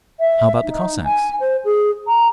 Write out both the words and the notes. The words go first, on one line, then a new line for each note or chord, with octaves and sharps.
"How about the Cossacks?"
E5
D#4
G#5
C5
G#4
A#5